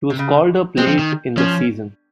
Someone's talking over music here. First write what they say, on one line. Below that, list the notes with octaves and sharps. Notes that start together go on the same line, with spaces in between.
He was called up late in the season.
C3
C#3
G#3 C4
F3
D#3
F3 C#4